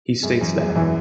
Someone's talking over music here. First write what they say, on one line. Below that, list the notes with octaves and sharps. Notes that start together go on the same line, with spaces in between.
He states that.
F#2 G#3
F#2 E3
E2 G#3
E2
F#2 E3